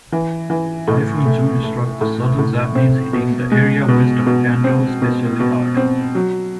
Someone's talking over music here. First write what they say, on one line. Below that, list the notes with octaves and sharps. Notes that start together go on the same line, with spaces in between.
Typhoon June struck the Southern Japanese hitting the area west of Kanto especially hard.
E3
E3
A2
A3
A3
A2
A2
C4
B2
G#3
B2
B2
C4
B2
B2
C4
F#3